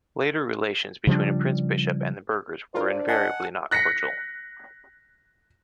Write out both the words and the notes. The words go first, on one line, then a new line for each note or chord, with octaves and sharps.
Later relations between a prince-bishop and the burghers were invariably not cordial.
C#3 F3 G3 D4
D4 F4 A#4 C5 D5
D#5 F#5 G#5 A5
F#6 A#6 B6 C#7